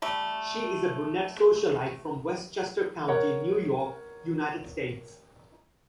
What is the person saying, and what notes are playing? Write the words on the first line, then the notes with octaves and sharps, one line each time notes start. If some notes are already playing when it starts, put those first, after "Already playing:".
She is a brunette socialite from Westchester County, New York, United States.
G3 A3
A#4 C#5 F#5